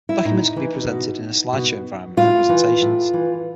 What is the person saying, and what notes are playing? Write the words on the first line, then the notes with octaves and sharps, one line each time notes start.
Documents can be presented in a slideshow environment for presentations.
E4
A2 D#4
E3
B2
B2
A2 F4
E3
A2
E3